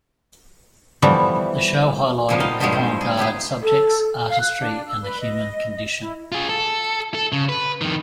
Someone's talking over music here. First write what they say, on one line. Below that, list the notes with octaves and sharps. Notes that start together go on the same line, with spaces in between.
The show highlighted avant-garde subjects, artistry, and the human condition.
E3 F3 G3 A3 B3
A#2 C#3 F3 G3 B3
D#4 D#5 F5
G2 A#2 F3 G3 G#3
C4
G#4
B3 E4 G4 G#4
A4
F5
F#6
D4
E6
B4
D#5
E4
F4 G#4
A4
A4
C#3
B4
F2 D#3